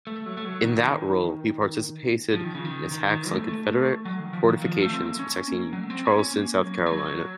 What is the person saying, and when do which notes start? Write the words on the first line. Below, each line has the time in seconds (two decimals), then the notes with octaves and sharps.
In that role, he participated in attacks on Confederate fortifications protecting Charleston, South Carolina.
0.07 A3
0.26 F#3
0.37 A3
0.45 F#3
0.64 D#3
2.34 F3
2.44 D#3
2.55 C#3
2.65 D#3
2.91 D#3
3.11 D#3
3.30 A3
3.49 A3
4.05 F#3
4.20 D#3
4.33 F3
4.49 D#3
4.62 F3
4.82 A3
4.93 C4
5.00 A#3
5.19 C#4
5.48 A#3
5.73 F#3
5.76 A3
5.90 C4
6.05 C#4
6.19 C#4
6.34 A#3
6.61 F#3
6.86 A3
6.91 F#3